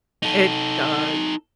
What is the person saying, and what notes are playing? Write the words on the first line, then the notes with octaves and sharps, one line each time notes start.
It does.
D#4 A4